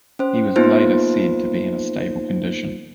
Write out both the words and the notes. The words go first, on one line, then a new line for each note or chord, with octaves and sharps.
He was later said to be in a stable condition.
C#4 C5
A#3 B3 D#4 F4 C5